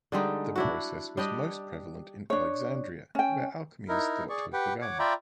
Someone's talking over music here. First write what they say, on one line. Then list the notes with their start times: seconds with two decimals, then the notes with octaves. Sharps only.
The process was most prevalent in Alexandria, where alchemy is thought to have begun.
0.12 D3 G3 G#3 D#4
0.56 D4 E4 F#4
1.17 G3 D4 G4 D#5
2.30 D4 C#5
3.15 C#4 G5
3.88 D#4 E4 A#4
4.29 G#4 D5 C#6
4.53 G4 B4 F#5 G5
4.81 C#5 F#5 D6
4.99 F4 D5 E5 G5 A#5 B5